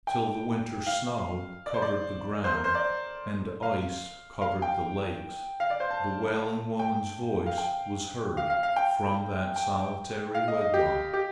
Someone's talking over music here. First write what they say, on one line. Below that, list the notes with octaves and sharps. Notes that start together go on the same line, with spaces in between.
Till the winter snow covered the ground and ice covered the lakes, the wailing woman's voice was heard from that solitary wigwam.
G5
F5
D5
C5
D5
C5
A#4
C5
D5
F5
F5
G5
F5
D5
C5
A5
G5
F5
G5
F5
F5
F5
G5
G5
F5
D#5
D#5
G4
G4